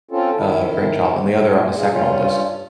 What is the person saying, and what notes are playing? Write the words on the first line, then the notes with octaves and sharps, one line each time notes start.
uh, grandchild, on the other, I'm the second oldest.
C4 C#4 F4 A4
D#3 E4
A#2
F4 G#4
G2 C#4 F4